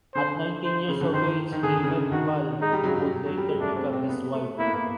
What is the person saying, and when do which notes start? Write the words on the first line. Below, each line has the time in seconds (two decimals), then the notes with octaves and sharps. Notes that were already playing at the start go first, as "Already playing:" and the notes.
At nineteen years of age he met Val, who would later become his wife.
0.14 D3 C5
0.64 C5
0.89 C#3
1.01 D3
1.13 D#3 C5
1.52 D#3
1.63 D3 G#4
1.83 C#3
1.88 D3
2.12 D#3 F#4
2.61 G#3 D#4
2.73 G3
2.84 F#3
2.95 G3
3.26 F#3
3.37 G3
3.48 G#3
3.60 A3 D4
3.76 C4
3.93 C4
4.09 B3
4.34 A3
4.58 A#3 E4
4.67 B3
4.74 A#3